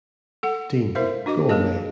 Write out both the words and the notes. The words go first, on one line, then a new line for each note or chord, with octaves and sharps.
Dean, go away.
A4 F#5
E4 A#4 C5 E5 F5
D4 F#4 D#5 D6
A#3 G#4 A#4 D#5 A5